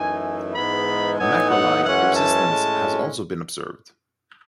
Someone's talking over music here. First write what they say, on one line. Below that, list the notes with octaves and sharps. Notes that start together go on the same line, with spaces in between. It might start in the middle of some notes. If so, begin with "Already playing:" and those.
Macrolide resistance has also been observed.
Already playing: F#2 E3 A3 D#4 G#5
G#2 E3 G#3 B3 D#4 B5
A2 F#3 B3 D#4 G#5
F#5
F#2 E3 G#3 C#4 F#5
A5
A2 G#3 C#4